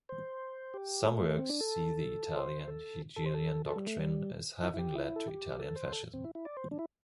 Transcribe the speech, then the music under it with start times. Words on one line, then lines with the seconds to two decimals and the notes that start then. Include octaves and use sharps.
Some works see the Italian Hegelian doctrine as having led to Italian Fascism.
0.09 C5
0.74 G4
1.06 A3
1.39 C4
1.49 D4
1.60 A4
2.36 C5
2.68 A4
3.16 A4
3.26 C5
3.34 A4
3.66 A4
3.76 G3
3.87 A3
3.98 G3
4.62 E4
4.74 E4
4.79 G4
4.95 E4
5.16 A4
5.28 G4
5.59 A4
5.76 C5
5.92 A4
6.14 C4
6.24 E4
6.35 E4
6.45 D5
6.57 C5
6.71 D4
6.79 E4